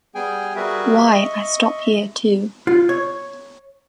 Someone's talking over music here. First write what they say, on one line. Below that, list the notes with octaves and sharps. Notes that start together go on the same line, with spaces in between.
Why, I stop here too.
G3 B3 G#4 G5 G#5
G3 F#4 G#4 A#4 B4 E5
D#5 E5 C#6
F4
C#5